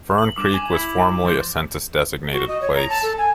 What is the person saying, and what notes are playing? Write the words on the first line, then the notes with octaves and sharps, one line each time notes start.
Fern Creek was formerly a census-designated place.
F#7
G2 D6 E7
G#5
E4
F3 C5
F#4
D#5
C#5
A#5
A5
A4
G#5